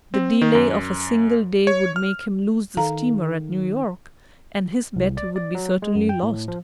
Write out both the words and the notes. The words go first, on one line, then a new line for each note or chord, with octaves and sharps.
The delay of a single day would make him lose the steamer at New York, and his bet would be certainly lost.
C4
D#3
F#2
C#5
F6
D#3 A4 F5 A#5
C2
D5
D5
F#3
G#3
F#2
G5
A2
F3